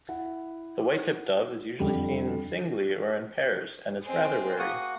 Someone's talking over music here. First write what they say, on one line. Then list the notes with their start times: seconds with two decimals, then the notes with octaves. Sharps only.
The white-tipped dove is usually seen singly or in pairs, and is rather wary.
0.09 E4 F#5
1.79 F2 D3 G3
4.02 G#3 C4
4.59 A#3 F#4 F#5 D#6